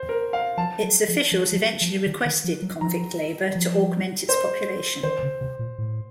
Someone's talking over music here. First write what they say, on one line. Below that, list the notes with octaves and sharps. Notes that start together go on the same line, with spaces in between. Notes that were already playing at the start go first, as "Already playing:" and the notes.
Its officials eventually requested convict labour to augment its population.
Already playing: C5
A#4
F5
F3 A5
F#3
F3
F3
F3
F#3
F3
D#3
D#3
F3
F#3
F3 A#5
F3
C5
D#3 C5
C#3
C3
A#2
A2